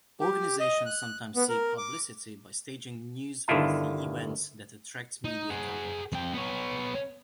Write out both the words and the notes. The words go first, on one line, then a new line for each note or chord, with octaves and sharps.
Organizations sometimes seek publicity by staging newsworthy events that attract media coverage.
G4
D#5
F#6
B3
A#4
D6
G1 D3 D#3 E4 F4 A5
D#4
G#4 F#5
F2 G5
B3 C#5